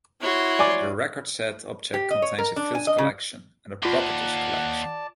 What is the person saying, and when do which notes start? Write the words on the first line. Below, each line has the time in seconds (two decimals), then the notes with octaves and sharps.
The Recordset object contains a Fields collection, and a Properties collection.
0.21 E4 F#4 C#5 C6
0.59 D5 G#5 D6
1.94 G4
2.11 D#5
2.22 C#5
2.38 A#4
2.56 D4
2.75 G#5
2.87 D#5
2.98 C#3
3.83 D#2 F4 D5 F#5 A5 C6 C#6